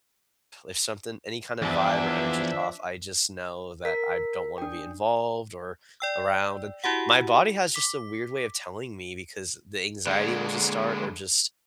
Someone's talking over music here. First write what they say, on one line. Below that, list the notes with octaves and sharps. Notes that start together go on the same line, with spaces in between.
If something any kind of vibe or energy's off, I just know that I don't wanna be involved or around, and my body has just a weird way of telling me because the anxiety will just start or just
E2 F3 D4 E5
A#4 B6
D4 G5
D5 G5 E6
E4 F#4 G4 F#5
D6 B6
D3 G#3